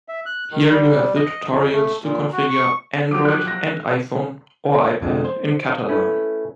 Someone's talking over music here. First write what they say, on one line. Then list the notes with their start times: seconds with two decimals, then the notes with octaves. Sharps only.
Here you have the tutorials to configure Android and iPhone or iPad in Catalan.
0.08 E5
0.26 F#6
0.52 D#3
0.69 G3
1.17 D#5
1.47 F2
1.72 A3
2.03 A#2
2.33 F#4
2.50 C#6
3.11 F3 F#3 G4 D6 D7
3.25 F#6
3.48 A#6
5.01 F2 D3 G#3
5.25 C5
5.65 D#5 F5
5.88 A3 C#4 E4 B4